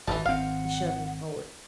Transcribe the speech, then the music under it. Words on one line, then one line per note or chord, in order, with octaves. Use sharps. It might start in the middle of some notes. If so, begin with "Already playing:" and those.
He shoved me forward.
D1 G#1 E3 F3 A5
G#1 C4 F5 F#5